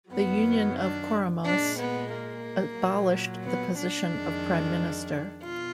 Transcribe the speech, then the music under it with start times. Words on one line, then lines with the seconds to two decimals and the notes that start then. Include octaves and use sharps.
The Union of Comoros abolished the position of Prime Minister.
0.11 F#2 D#3 F#3 B3
0.77 D4
1.43 A#2 G#3 D4
1.77 B3
2.11 A#3
2.76 A#2 F#3
3.43 B3
3.76 D4
4.10 F2 D#3 G#3
5.42 B2 F4